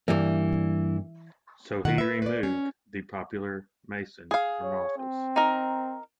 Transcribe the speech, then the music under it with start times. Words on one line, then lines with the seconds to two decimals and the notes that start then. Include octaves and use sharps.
So he removed the popular Mason from office.
0.08 G2 E3 G3 A#3
1.85 B2 D#3 F#3 F#5
1.98 B4 E5
2.22 B4 D5
2.43 C#4
4.31 G#4 F5
4.63 C#5
4.97 C4
5.36 D#4 A#4